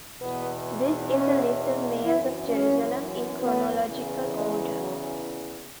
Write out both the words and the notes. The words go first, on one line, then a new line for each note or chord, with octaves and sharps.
This is a "list of mayors of Jerusalem" in chronological order.
E2 B2 B3
C#4
F#2 E3 E4
C#4
B3
E2 C#3 E3
G#3
F#3